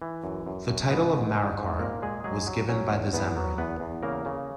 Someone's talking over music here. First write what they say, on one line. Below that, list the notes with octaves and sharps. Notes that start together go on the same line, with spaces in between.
The title of "Marakkar" was given by the Zamorin.
E3
F#2
F#2
F#2
G#2 B3 B4
G#2
G#2
G#2
A#2 A#3 A#4
A#2 G#3 G#4
F#3 G#3 G#4
F#3
F#3 C#4 C#5
E2
E2 B3 B4
F#3
E2 B3 B4
E2
C#3 A#3 A#4
C#3